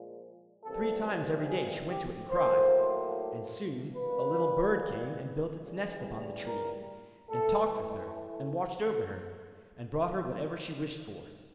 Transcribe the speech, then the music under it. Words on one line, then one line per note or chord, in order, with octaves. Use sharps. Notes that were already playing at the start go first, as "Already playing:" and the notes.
Three times every day she went to it and cried; and soon a little bird came and built its nest upon the tree, and talked with her, and watched over her, and brought her whatever she wished for.
Already playing: A#2 F3 G#3
C3 E3 G3 A#3 A4
G#4
G4
A2 F#3 A#3 C5
B2 G3 A#3 B4
C#3 E3 G3
A#4
A2 E3 A3 A4